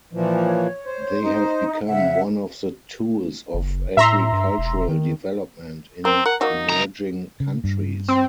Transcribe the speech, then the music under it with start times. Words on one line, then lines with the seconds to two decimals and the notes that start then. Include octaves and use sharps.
They have become one of the tools of agricultural development in emerging countries.
0.13 A#2 E3 F3
0.44 C#5
0.86 C5
1.22 D#4
1.88 C#3 E5 F#5
3.54 F#1
3.97 A2 E5 A#5 C6
4.32 G2
4.58 E1
4.88 D#3
6.05 C4 A#4
6.26 A#4 F#5
6.41 F#3 A#3 D#4 F#4
6.70 C#2 A#5
7.40 C#3
7.64 G2
8.09 C4